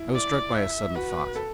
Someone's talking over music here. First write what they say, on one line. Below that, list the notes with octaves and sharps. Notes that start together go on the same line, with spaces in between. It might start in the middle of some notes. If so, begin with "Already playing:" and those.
I was struck by a sudden thought.
Already playing: E4
D5
E5
F#4 B4
A4